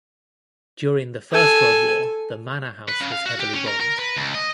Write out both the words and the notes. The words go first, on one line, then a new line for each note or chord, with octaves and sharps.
During the First World War the manor house was heavily bombed.
A4 G#5
B4
C#3
F5
F#4
G4
C#4
A#4
A#4
B4
C#2
D#5